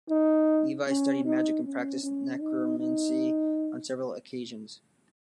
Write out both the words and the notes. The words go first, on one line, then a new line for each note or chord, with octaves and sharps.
Levi studied magic and practiced necromancy on several occasions.
D#4
C#4
D#4
C#4
C#4
D#4
D#4